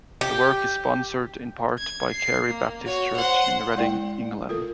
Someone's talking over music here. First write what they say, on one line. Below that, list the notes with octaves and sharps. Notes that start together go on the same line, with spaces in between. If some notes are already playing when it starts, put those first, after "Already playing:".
The work is sponsored, in part, by the Carey Baptist Church in Reading, England.
G4
G#6
C7
A#3
F#4 C#5
C5 F#5
G#3 E4 D5 G5
F4 A4 A#4